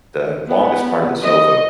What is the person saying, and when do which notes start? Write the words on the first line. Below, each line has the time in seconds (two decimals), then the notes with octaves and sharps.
the longest part of the sofa,
0.48 B3
1.22 D#5